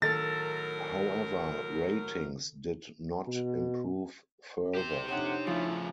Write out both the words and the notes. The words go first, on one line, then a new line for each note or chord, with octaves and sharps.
However, ratings did not improve further.
A2 D#3 F#3 A4 A#4 A6
B2
G4 C5
F2 C3 D4 D#4 C#5 F#5
C#3 F3 A3 E4